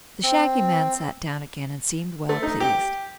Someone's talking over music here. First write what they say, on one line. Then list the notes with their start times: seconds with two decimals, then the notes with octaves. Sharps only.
The Shaggy Man sat down again and seemed well pleased.
0.23 C4
2.29 A3
2.43 D#4
2.60 G4